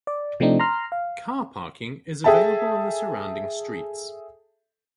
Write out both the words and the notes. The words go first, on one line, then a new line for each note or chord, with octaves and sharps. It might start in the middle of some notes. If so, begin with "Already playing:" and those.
Car parking is available in the surrounding streets.
D5
C3 F3 A3 C4 D4 D#4
A#5 C6 F6
F5
G#4 A4 E5 G5 A5